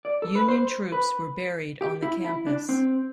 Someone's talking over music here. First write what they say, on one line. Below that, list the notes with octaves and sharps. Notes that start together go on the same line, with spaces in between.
Union troops were buried on the campus.
D5
A4
B4
C5
B4
G4
E4
E4
D4
C4